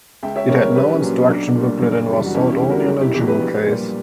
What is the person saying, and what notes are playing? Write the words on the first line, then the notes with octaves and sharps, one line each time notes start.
It had no instruction booklet and was sold only in a jewel case.
C#2 E5 G5
C#5 E5
C#3 G3 A#4 C#5
A#4 C#5
A#1 G4 B4
C#4
A#2 F#3
B1 D4
A#2 G3
F#1
F#2 E3 G3
F#4
E2 C#4 E4
E4 G4
D3 G3
F#4 A#4
F#1
E4 G4
E2 B2 F#3 E4 G4
G4 B4
A#1
A#2 G3